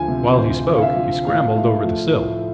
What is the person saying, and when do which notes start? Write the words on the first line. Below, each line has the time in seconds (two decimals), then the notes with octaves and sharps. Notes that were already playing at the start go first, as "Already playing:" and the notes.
While he spoke, he scrambled over the sill.
Already playing: D2 F3 G#5
0.08 C3
0.37 D2 C5
0.66 D2
0.73 F5
0.82 E5
0.96 F3
1.27 A2 F5
1.56 A3
1.85 F3
2.15 A2